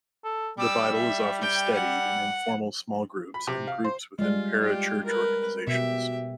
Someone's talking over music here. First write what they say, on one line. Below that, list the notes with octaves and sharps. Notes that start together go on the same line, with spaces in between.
The Bible is often studied in informal small groups, and groups within parachurch organizations.
A4
G3 D6 E6
E5
G5
F#5
B5
C3
F5
C5
G3 G#3 F4
F4 G4
A#4 B4
B2 G4 E5